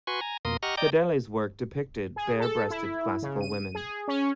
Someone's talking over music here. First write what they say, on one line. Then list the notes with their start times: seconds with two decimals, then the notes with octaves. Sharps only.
Fedeli's work depicted bare-breasted classical women.
0.07 F#4 B4 G#5 C6 C#6
0.21 G#5 A#5
0.45 F2 B2 A#3 A#4 C6 D#6
0.63 G4 D#5 F#5 A#5 C#6 F6
0.77 D5 D#5 G5 A#5 D6 G6
2.16 G#4
2.40 A4
2.70 E4
3.22 C#3
3.41 D#7
3.75 G#4
4.08 C#4